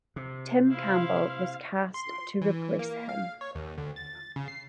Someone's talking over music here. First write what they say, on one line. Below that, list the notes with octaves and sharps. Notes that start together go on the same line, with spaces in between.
Tim Campbell was cast to replace him.
C3
E4 C5 F5
C6
E3
A#3
F5
C#5
D#2
D2
A6
C#3
C7